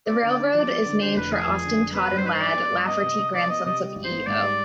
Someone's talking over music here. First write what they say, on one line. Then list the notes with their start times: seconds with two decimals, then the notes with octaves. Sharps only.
The railroad is named for Austin, Todd and Ladd Lafferty, grandsons of E. O.
0.07 B3 D5
0.23 D3
0.39 D4
0.54 F3 D5
0.69 B3
0.85 D3
1.01 D3 C5
1.16 F1 B4
1.32 F3 G#4
1.47 F2
1.63 D3
1.78 F1
1.94 B3 B4
2.10 G2
2.17 C5
2.24 D#4 B4
2.33 C5
2.40 F3 D5
2.56 B3
2.71 G2
2.87 B3 D#5
3.03 C3
3.19 C3
3.34 F3 D5
3.49 B3 D#5
3.65 C3 D#5
3.80 G3
3.96 G#1
4.04 C5
4.11 B3
4.26 G#2 D5
4.42 G3